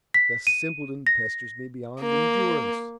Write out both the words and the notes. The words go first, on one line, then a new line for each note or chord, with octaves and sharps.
The simpleton pesters me beyond endurance.
B6
D#7
A#6
A#3